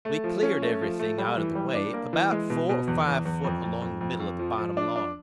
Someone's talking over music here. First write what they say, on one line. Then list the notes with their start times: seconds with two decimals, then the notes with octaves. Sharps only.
We cleared everything out of the way, about four or five foot along the middle of the bottom log.
0.05 A3
0.24 F3
0.43 C#4
0.62 A3
0.81 F3
0.99 A3
1.18 G3
1.37 E3
1.55 G3
1.74 D4
1.94 A#3
2.13 E3
2.32 G#3
2.50 B2
2.69 B2
2.87 E2
3.08 E2
3.25 E2
3.44 F2
3.64 F2
3.82 F2
4.01 F2
4.20 F2
4.39 F3
4.58 F3
4.77 D4
4.96 D4